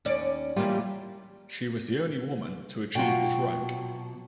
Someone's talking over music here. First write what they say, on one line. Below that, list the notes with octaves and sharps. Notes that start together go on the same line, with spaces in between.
She was the only woman to achieve this rank.
D#2 C#4 D5
E3 G3 A#3 F4
B2 F#3 F4 F#4 G5